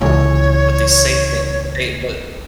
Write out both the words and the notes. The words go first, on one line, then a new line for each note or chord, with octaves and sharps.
But they say thing but they, but
C#2 E3 C#5